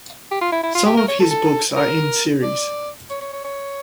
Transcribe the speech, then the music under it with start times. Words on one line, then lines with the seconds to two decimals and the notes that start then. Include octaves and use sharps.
Some of his books are in series.
0.31 G4
0.41 F4
0.52 E4
0.64 E4
0.75 F4
0.86 G4
0.97 A#4
1.08 C#5
1.20 A4
1.31 A4
1.76 A#4
2.43 D5
3.10 C#5
3.22 C#5
3.33 C#5
3.44 C#5